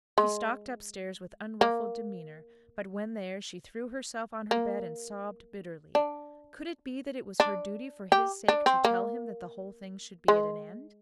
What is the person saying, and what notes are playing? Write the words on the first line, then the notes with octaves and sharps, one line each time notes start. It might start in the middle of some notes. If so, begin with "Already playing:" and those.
She stalked upstairs with unruffled demeanour; but when there, she threw herself on her bed and sobbed bitterly. Could it be that it was her duty, for his sake, to tell him that the whole thing should be at an end?
G#3
A#3
A#3
D4
D4
G4
D4
C4
A#3
G#3